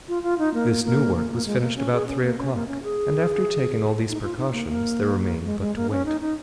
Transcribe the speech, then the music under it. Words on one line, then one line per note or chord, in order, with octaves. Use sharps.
This new work was finished about three o'clock, and after taking all these precautions there remained but to wait.
F4
F4
D#4
A#3
A#3
A#3
A#3
G#3
A#3
C#4
G#4
C#4
A#3
C#4
A#3
C#4
G#4
D#4
F4
D#4
A#3
A#3
G#3
G#3
A#3
C#4
D#4
D#4